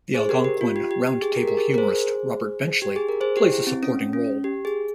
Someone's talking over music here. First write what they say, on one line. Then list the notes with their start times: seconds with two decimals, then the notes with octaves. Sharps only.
The Algonquin Round Table humorist Robert Benchley plays a supporting role.
0.14 G#4 C5
0.29 G4 A#4
0.44 G4
0.61 F4
0.76 G4
0.91 G4
1.07 G4
1.22 G#4
1.36 G4 A#4
1.48 A#4
1.57 G#4
1.74 A#4
1.78 G#4 C5
2.82 G4
2.96 G#4
3.09 A#4
3.21 G#4 C5
3.37 G4
3.52 E4
3.67 C4
3.83 C#4
4.13 C#4
4.44 G4
4.65 G#4